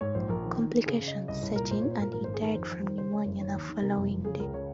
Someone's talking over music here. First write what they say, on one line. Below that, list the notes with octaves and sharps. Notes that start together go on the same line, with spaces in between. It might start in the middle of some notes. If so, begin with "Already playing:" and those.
Complications set in and he died from pneumonia the following day.
G#2 C#5
A#1 C5
A#1 A#4
D#3
D#3
D#3
C#3 G#4
C#3
D#5
C#3
C2 D#5
C2 C#5
A#2 A#4
A#2 C5
A#2 C#5
C5
A#2 A#4
G#1 A#4
G#1 C5
G#4
D#3 A#4
F2 C5
F2
D#3
C#3 C5
C#3 C#5
F#1
D#3 C#5
D#2
D#3
C3 A#4
F#1
F2
C#3 G#4
C#2 A#4
C#3 C#5